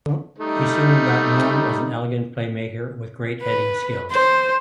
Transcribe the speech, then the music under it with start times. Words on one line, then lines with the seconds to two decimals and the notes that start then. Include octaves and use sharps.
He soon got known as an elegant playmaker with great heading skills.
0.38 G3 A3 D#4
3.43 B4
4.12 C5